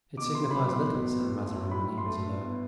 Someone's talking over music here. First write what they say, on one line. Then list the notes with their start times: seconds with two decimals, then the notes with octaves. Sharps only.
"It signifies little," said Mazarin, when he was alone.
0.16 B2 D6
0.35 B3 C6
0.51 F#3 B5
0.68 B2 C6
0.86 B2
1.03 B3
1.20 A2
1.37 A3
1.55 F#3
1.71 A2 B5
1.89 A2
1.98 C6
2.06 A3
2.23 A2
2.41 B3